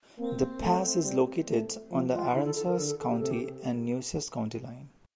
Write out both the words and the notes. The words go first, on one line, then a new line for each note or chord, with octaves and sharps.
The pass is located on the Aransas County and Nueces County line.
A#3 C4
A3
G3
A3
F3
F4
D3 E4
A4
A4
A#4
D3 A4
A4
A4
G4
C3 A4
G4